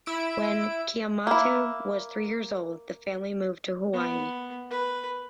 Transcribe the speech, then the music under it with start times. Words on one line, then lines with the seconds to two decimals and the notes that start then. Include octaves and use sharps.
When Kemoeatu was three years old, the family moved to Hawaii.
0.06 E4 E6 D7
1.27 A#3 E4
3.93 B3
4.70 B4